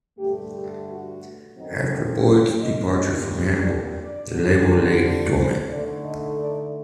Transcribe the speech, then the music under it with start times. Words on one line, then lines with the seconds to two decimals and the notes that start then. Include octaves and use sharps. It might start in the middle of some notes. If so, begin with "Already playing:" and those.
After Boyd's departure from Hannibal the label lay dormant.
0.19 G2 D3 A3 G4
0.53 G4
0.88 F#4
1.57 F#2 D3 F#3 C4 D#4
1.91 D#4
2.25 F#4
2.60 D#5
2.94 A#2 G3 A#3 D4
3.62 D5
3.97 D5
4.32 D3 G3 D4
4.65 A#4
5.01 C5
5.35 C5
5.69 D3 A3 D#4 D5
6.04 D#5
6.39 D5